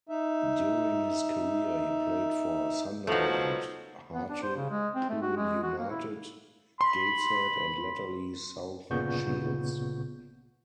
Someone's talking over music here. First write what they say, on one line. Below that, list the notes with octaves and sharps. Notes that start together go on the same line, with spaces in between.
During his career, he played for Sunderland, Hartlepool United, Gateshead and latterly South Shields.
D#4 E5
B2 F3 F#3 A3 D#4
B3
D4
C5
C#3
G#3
C4
A3
F#4
G#3
F#4
A#3
E4
B5 C6
G1 A#2 C#3 B3 C#6 G6